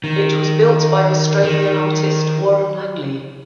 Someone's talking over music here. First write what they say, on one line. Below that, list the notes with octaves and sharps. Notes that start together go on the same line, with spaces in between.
It was built by Australian artist Warren Langley.
D#3
D#3